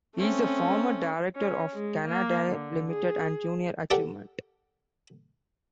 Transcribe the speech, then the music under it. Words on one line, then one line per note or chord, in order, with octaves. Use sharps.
He is a former director of Canadair Limited and Junior Achievement.
A3 C4 C#4
C#4
G#3
A#3
D3
G#4
G4 A4 A#4 D5 F#5 G5